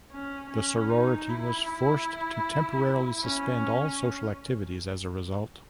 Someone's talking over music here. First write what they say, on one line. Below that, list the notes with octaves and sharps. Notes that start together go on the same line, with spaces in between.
The sorority was forced to temporarily suspend all social activities as a result.
C#4
C#4
D#4
E4
C#4